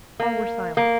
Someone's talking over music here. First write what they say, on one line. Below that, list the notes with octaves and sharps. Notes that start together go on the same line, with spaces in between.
All were silent.
A#3
A#3